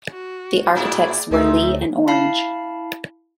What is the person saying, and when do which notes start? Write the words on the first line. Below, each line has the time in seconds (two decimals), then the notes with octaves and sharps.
The architects were Leigh and Orange.
0.12 F#4
0.75 A2 B3 E4 F#4 G#4 D5
1.31 D2 G#3 A3 D#4 E5
2.07 E4 F5 A5 B5 C7